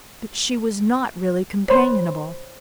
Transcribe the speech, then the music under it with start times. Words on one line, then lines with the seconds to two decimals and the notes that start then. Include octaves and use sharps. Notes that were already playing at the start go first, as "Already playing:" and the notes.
But she was not really companionable.
1.68 C5 C#5 B5 C6